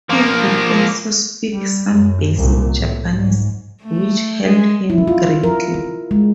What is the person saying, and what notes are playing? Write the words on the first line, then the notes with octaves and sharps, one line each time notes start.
He could also speak some basic Japanese, which helped him greatly.
F3 A#3
G3
F#2
C2 A#2
A2
G#2
A3
G#3
E4
F4
A#4
G#3